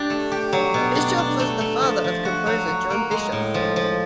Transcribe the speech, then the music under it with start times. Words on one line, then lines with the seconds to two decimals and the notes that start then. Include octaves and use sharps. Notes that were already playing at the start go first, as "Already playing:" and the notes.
Bischoff was the father of composer John Bischoff.
Already playing: D4 G4
0.10 A3
0.32 G4
0.53 F#3
0.74 B2
0.95 D4
1.18 D4
1.40 A3
1.61 A3
1.81 F3
2.04 F3
2.25 F#4
2.47 F#3
2.68 F#4
2.90 A#3
3.11 G#3
3.32 A2
3.54 F3
3.76 F3